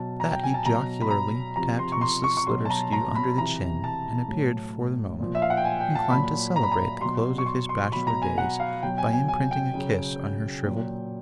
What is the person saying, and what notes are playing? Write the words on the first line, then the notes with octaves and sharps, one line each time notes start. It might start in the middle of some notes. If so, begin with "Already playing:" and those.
With that, he jocularly tapped Mrs Sliderskew under the chin, and appeared, for the moment, inclined to celebrate the close of his bachelor days by imprinting a kiss on her shrivelled lips.
Already playing: B2 F#3 A5
A#5
G5
G#5
A5
B2 F#3 A#5
B5
A#5
C3 F3 A#5
C6
C#6
C6
C#6
C#6
B2 F#3 C6
A5
A#5
A#5
B5
C3 E3 A#5
A5
A2 F#3
A#2 F3
E5
F5
F#5
G5
G#5
G5
A5
A#2 F#3 B5
A#5
B5
A#5
B2 F#3 C6
C#6
C6
C6
B2 F#3 B5
A#5
G#5
F#5
F5
B2 F#3 G5
G#5
G#5
G#5
G5
C#3 F#3
A#2 F#3